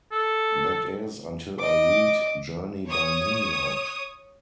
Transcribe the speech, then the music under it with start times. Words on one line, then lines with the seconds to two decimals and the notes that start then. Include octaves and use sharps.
That is, until I read "Journey by Moonlight".
0.12 A4
1.59 D#5 D6
2.88 C#5 D#6